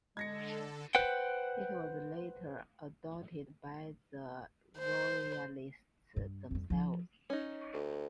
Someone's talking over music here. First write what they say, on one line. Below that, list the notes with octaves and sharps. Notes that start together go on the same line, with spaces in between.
It was later adopted by the Royalists themselves.
D3 G#3 A4 G#6 A#6 C#7
B4 C5 F#5 G5
C5
G2
F2 G3
F3 E4
C#4 D#4
D2